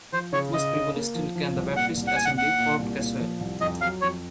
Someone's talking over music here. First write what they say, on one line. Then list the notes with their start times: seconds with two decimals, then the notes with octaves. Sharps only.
Most people still call the Baptist Assembly "Fort Caswell".
0.12 F3 C5
0.33 C#3 C#5
0.53 C#3 D#5
0.74 C#3
0.95 A#3
1.15 F3
1.35 F3
1.56 C2
1.76 A#2 F#5
1.97 C2
2.07 F#5
2.16 A#2 G#5
2.25 F#5
2.38 A#2 F#5
2.58 A#2
2.79 C2
2.99 A#2
3.20 F3
3.41 C2
3.61 F2 D#5
3.81 F#3 F5
4.01 F2 C#5